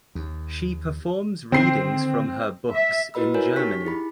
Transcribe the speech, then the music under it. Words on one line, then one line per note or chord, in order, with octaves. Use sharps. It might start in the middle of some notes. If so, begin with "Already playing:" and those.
She performs readings from her books in Germany.
D#2
D3 D#3 C4 C7
E5
E4 F#4 B4 D#5 B5 E6
F#4 A#4 C#5 G#5 G6
D#4 G4 C#6 B6
E4 G#4 B5